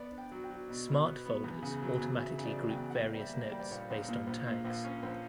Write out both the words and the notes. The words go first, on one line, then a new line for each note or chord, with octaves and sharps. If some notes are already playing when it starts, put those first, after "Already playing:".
Smart Folders automatically group various notes based on tags.
Already playing: B3 D5
D4
G5
F#3
G5
F#3
B2
B2
B3
B3
E2
C#3
F#3
E2
E2 E5
C#3
D5
F#3
G5
E2
F#5
A#3 G5
G3 D5
E5
A#3
D5
G3
D5
A#1 C#5
A#1
A#2
A#1
A#2
A#1
C#4
A#1